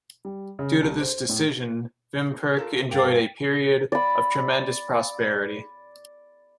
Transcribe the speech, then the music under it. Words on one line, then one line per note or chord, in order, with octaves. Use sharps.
Due to this decision, Vimperk enjoyed a period of tremendous prosperity.
G3
C#3
C2
C5
A2
F4 A4 A#4
G2 G4 A#4 F5 G5 A6
D5 B5